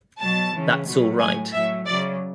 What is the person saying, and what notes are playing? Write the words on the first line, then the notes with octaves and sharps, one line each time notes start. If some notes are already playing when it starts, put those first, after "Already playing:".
That’s all right.
B2 F#3 A5
C#3 E3
B2 F#3
A2 F#3 G#5
A2 F#3 E5
C#3 F#3 D5